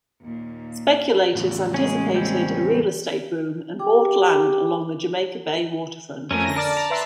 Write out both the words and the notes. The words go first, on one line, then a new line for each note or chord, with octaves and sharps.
Speculators anticipated a real estate boom and bought land along the Jamaica Bay waterfront.
D#2 A#2
E2 A2
G#3 A#3 C#4 G#4
G3 C4 C#4
G4 G#4 G5 D6
F2 A3 C#4 A#4 G#5
D3 A#6
A#4 D5 A5
A#5
B4 E5 C6